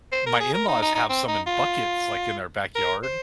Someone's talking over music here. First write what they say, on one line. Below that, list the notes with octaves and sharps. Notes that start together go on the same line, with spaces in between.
my in-laws have some in buckets like in their backyard.
C5
A#4
G#4
A#4
D#4
D#4
D#4
C4
D#4
F4
A#4
C5